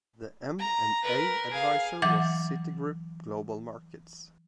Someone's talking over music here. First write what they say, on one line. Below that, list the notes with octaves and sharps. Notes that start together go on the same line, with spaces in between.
The M and A advisor was Citigroup Global Markets.
A#5
A#4 B4
G#4 F5
E3 F#3 F#5 D6